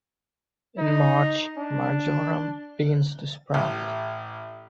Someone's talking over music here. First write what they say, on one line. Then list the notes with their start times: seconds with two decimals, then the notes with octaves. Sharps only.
In March, marjoram begins to sprout.
0.78 D#4
1.58 D4
3.54 A1